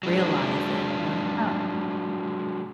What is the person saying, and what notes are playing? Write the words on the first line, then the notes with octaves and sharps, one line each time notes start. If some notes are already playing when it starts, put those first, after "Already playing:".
realize it, you know, like, "Oh"
F#3 G#3 D4